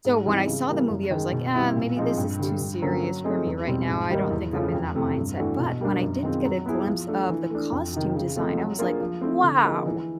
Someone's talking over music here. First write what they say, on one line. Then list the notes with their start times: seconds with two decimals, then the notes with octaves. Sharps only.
so when I saw the movie, I was like, "Uh, maybe this is too serious for me right now, I don't think I'm in that mindset," but when I did get a glimpse of the costume design, I was like, "Wow!"
0.05 G#2
0.26 E3 G3 C4 D#4
0.47 C#3
0.68 E3 G3 A#3
0.89 F#2
1.11 D#3 G#3
1.32 B2
1.54 G3 C4 E4
1.76 A#2
1.97 F3 G#3 C4 D#4
2.17 G2
2.39 D3 G3
2.61 G2
2.82 D3 F#3 A#3 C#4
3.03 F#3
3.24 A3 C4 D#4 G#4
3.46 E2
3.67 B2 G3 C4
3.89 G#2
4.10 D#3 G3 A#3 D#4
4.30 E2
4.53 C#3 F3 A3 C#4
4.74 F2
4.95 C3 E3 A3 C4
5.17 G2
5.37 E3 A3 D4 F#4
5.58 B2
5.81 G3 A#3 D4
6.02 F#2
6.23 D#3 G#3 C4 F4
6.45 F#3
6.66 B3 E4 G#4
6.87 F3
7.08 A3 D4
7.29 E3
7.50 A3 D4
7.72 F2
7.93 C3 D#3
8.14 C#3
8.36 F3 A3 C4 D#4
8.57 F#3
8.79 A#3 D4 F4 G#4
9.00 F3
9.21 A3 C4 E4
9.43 D3
9.64 F3 A#3 D#4 G#4
9.86 E3